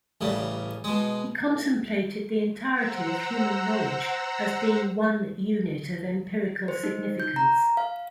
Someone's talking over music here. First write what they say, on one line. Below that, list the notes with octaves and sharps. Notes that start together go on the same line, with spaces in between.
He contemplated the entirety of human knowledge as being one unit of empirical significance.
A1 C#3 G3
B2 G#3
C5 F#5 A#5 E6
C5
D#4
G6
A#5
F5